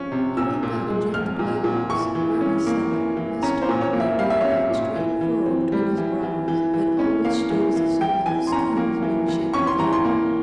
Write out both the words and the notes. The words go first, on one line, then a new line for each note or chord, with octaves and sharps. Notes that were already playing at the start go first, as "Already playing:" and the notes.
He went back and joined the Blaylocks, where he sat, less talkative, with that straight furrow between his brows that always stood as a signal of schemes being shaped within.
Already playing: F3 C#4
C3
A#2 E6
A#2
G#3
F3 F6
A#2
A#2
E3 C#6
E3
C#4
A#3
E3
E3
C#4 A#5
C5
A#2
C#5
A#3
E5
G3 F5
E5
C#4 C#5
E5
A#2
E3
E3
C4
G3
E3
E3
E3
E3
C#4
A#3 F5
E3
E3
E3 G5
E3 G#5
C6
C#4 A#5
A#3
E3
E3
C#4 C#6
C6
E3 A#5
C6
A#3